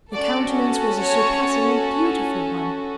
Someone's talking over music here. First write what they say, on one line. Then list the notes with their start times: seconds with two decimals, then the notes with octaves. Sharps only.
The countenance was a surpassingly beautiful one!
0.15 C#4 F#4 A4 D5
1.04 C#5